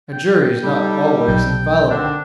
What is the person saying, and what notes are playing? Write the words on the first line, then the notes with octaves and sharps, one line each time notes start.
"A jury is not always infallible!"
G5
G3 D#4 A4
B1 G5
D3 D#3 C4 D4